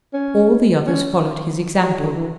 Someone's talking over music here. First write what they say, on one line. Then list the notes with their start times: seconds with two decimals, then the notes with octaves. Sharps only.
All the others followed his example.
0.14 C#4
0.87 C#4
1.83 F#3
1.98 D3
2.15 E3